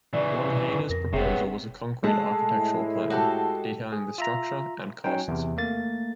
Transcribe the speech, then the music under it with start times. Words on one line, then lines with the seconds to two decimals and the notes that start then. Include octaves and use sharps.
Longhena's proposal was a concrete architectural plan, detailing the structure and costs.
0.13 C#3 E3 D5
0.89 F2 A#4 A#6
1.13 F#1 C3 B3 G#4 C#5 E5
2.04 G#3 A3 A4 F#5
2.48 A2 E4
3.10 F#4 G4 A4
3.92 G#4
4.18 F4 E5 A#5
5.04 F#3 C#4 D#4 G5
5.28 E2 C3
5.57 A3 A#3 A6